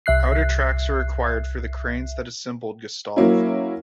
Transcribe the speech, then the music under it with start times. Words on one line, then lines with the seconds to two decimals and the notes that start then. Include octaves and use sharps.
Outer tracks were required for the cranes that assembled Gustav.
0.06 C2 E5 F#6 C7
3.17 F#3 A#3 C#4 E4